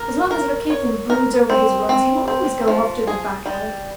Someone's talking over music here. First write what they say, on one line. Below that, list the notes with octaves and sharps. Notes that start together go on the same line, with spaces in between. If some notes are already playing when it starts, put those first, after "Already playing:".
As long as Rakitin broods over his wrongs, he will always go off to the back alley....
Already playing: A#4
A#4
C#5
A#4
C4
C4
C4
F3
G#4
G3